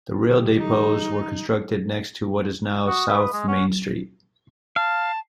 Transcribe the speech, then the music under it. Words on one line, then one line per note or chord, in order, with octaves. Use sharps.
The rail depots were constructed next to what is now S. Main Street.
D3 G4
E3 G3 D#4
F#4 D#6
B4
G#3
C#4 F#5
F5 A5